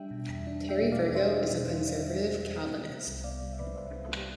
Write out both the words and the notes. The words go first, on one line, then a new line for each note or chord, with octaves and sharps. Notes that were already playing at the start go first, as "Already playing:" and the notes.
Terry Virgo is a conservative Calvinist.
Already playing: G3 D4 E5 G5
B2
E2
D4
G3
E5 G5
B2
D5 F5
E2
F5
D4 C5 E5
G3
B2
E2
D4
G3
B2
E2
B3
G3
C3
C2
B3 D5 F5
G3
E5
C3 B4 D5
C2 C5 E5
B3 B4
G3 A4
G4